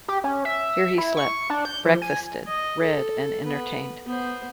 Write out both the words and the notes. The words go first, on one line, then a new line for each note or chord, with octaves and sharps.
Here he slept, breakfasted, read, and entertained.
G4
C#4
E5
E4
C#6
D4
G6
F3
G#5
D#5
A4
B3 B4
B3 C5